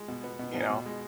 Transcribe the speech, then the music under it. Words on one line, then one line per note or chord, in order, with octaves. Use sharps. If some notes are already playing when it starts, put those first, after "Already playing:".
you know,
Already playing: G#3
B2
B3
B2
B2
B2
G#3